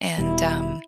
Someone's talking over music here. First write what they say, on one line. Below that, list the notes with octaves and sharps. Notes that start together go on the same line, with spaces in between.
and, um,
E1 B2 G3 E4